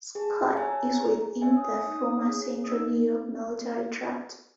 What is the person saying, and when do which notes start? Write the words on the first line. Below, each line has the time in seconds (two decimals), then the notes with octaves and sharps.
Scott is within the former Central New York Military Tract.
0.15 G#4 A5
0.57 C#5 E5 G#5 A#5
0.68 A5
0.79 A#5
0.99 G#4 A#5
1.42 C#5 E5 G#5
1.51 E6
1.56 D#6
1.84 D#4
2.26 G#4 C#5
2.63 D#6
2.68 D#4 E6